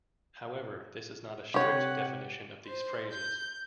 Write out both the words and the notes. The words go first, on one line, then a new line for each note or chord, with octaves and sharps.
However, this is not a strict definition of these phrases.
C3 G4 C#5 F#5
C5
G6